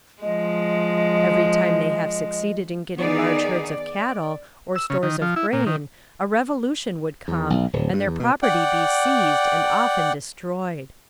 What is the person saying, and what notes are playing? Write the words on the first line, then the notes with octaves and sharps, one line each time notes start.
Every time they have succeeded in getting large herds of cattle or stores of grain a revolution would come and their property be seized and often destroyed.
F3 G#3 D#5
D#3 B3 D#4 G#4 D5
D5
E6
C#3
D#3
F3
E4
A#2
D#3
E2
B1
D1
G2
E2
B2
D5 F#5 G5